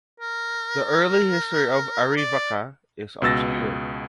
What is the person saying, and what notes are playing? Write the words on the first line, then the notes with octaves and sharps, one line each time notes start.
The early history of Arivaca is obscure.
A#4
D5
C#2 B2 E6 A6 A#6